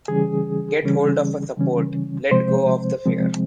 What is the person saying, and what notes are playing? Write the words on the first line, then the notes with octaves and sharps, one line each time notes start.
Get hold of a support - let go of the fear.
C#3 E3 G3 C#4 G#4
C#3 E3 G3 C#4
C#3 E3 G3 C#4
C3 F3 G#3 C4 C5
C3 F3 G#3 C4